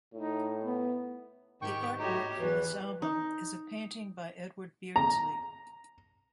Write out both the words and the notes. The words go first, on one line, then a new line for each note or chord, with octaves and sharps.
The artwork for this album is a painting by Edward Beardsley.
A2 D#4
B3
G#2 D#3 G4 G5 C#6
A2 D#4 F#4 G4 C#5
E2 E3 B4
D#4
A#5